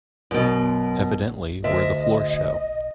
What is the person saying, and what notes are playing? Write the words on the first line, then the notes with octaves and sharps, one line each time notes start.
Evidently we're the floor show.
F#2 B2
D2 D#5 E5